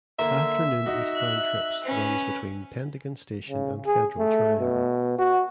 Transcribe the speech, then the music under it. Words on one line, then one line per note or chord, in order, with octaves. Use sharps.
Afternoon eastbound trips runs between Pentagon station and Federal Triangle.
D3 A#3 E5 A#5
D#4 F#4
F#6
C#4 B4
C#3
G#4
A3
B2
F#4